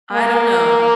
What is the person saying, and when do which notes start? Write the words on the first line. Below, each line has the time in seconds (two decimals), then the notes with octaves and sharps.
I don't know.
0.13 A#3